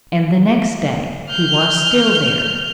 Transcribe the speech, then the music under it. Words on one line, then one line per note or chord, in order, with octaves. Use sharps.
And the next day he was still there.
F6 G6